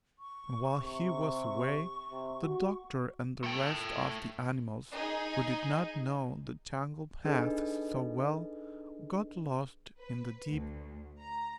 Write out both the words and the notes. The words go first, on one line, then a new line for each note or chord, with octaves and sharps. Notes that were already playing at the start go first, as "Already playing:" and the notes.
And while he was away, the Doctor and the rest of the animals, who did not know the jungle-paths so well, got lost in the deep woods.
C#6
C3
C3
F#4
A3 G5
D#4 G#4
D4 D#4 G#4 A4 B4 D#5
B4
D2
A#5